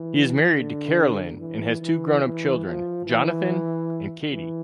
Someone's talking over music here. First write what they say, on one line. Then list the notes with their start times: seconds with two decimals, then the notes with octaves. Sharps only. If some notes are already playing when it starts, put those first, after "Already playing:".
He is married to Carolyn and has two grown up children, Jonathan and Katie.
Already playing: E3
0.56 D3
1.40 E3
1.81 E3
2.22 E3
2.65 F3
3.06 E3
4.30 E3